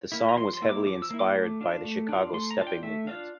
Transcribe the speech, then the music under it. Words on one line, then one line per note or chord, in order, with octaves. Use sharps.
The song was heavily inspired by the Chicago stepping movement.
A#3 E4
A#5
F3 C6
C6
A#3 E4
D6
F3 D6
E6
A#3 E4
D6
A3
D4 F4
A3
D4 F4
A3 C6
A#5
D4 F4 A5
G5
A3 E5
D4 F4 F5